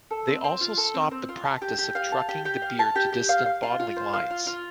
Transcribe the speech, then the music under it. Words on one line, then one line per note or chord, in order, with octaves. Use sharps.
They also stopped the practice of trucking the beer to distant bottling lines.
A4
C4
C4
F4
A4
C4
C4
F4
A5
G4
G4
F5
A5
G4
G4
F5
A5
G4
G4
F5
F5
F4
F4
C5
F5
F4
F4